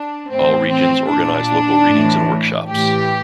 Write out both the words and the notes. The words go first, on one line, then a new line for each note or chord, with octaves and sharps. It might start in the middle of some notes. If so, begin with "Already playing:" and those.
All regions organize local readings and workshops.
Already playing: D4
A2 E3 C4
C4
A#2 D4
A2 E3
A2 E3 G4